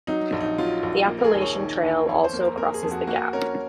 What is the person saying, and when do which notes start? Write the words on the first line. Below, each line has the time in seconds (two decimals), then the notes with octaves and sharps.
The Appalachian Trail also crosses the gap.
0.07 F#3 D#4
0.32 A#1
0.41 D#4
0.58 F#3 F4
0.83 A#1
1.07 A#3
1.19 A#4
1.24 G#4
1.33 D#2
1.41 C#5
1.58 D#3
1.83 D#2
2.07 F2 C#5
2.24 C5
2.33 A#3
2.41 A#4
2.57 A#3 A#4
2.74 G#4
2.83 F2
2.91 F#4
3.07 A#3 F#4
3.33 C#4 A#4